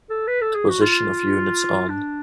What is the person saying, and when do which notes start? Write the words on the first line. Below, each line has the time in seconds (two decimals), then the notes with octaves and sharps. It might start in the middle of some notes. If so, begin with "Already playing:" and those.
The position of units on...
0.10 A4
0.27 B4
0.41 A4
0.55 G#4
0.69 F#4
0.82 F4
1.89 D4